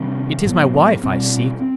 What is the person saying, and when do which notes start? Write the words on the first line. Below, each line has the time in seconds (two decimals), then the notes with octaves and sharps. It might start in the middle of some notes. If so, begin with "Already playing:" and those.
It is my wife I seek.
Already playing: C3 D#3 G3 C4
0.45 A2 F#3 B3
1.03 B2 G3 C4
1.61 C4